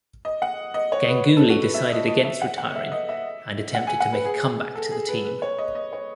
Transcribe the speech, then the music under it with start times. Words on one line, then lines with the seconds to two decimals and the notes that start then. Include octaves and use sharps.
Ganguly decided against retiring and attempted to make a comeback to the team.
0.25 D#5
0.42 F#5
0.74 D#5
0.92 C#5
1.08 B4
1.25 B4
1.37 A4
1.50 F#4
1.63 B4
1.74 E5
1.92 D#5
2.08 D#5
2.24 E5
2.42 F#5
2.58 F#5
2.76 E5
2.92 D#5
3.09 E5
3.75 F#5
3.87 G#5
4.00 F#5
4.12 B4
4.25 G#4
4.75 A4
4.91 G#4
5.08 B4
5.25 B4
5.42 C#5
5.58 D#5
5.75 D#5
5.93 C#5